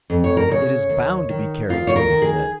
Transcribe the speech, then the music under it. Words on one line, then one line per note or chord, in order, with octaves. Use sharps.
"It is bound to be Carrington!" he said.
F2
C#5
A#4
C#3 C#5
D#2
D#3
D#2 F4
C#5
A#4
D#3
G#4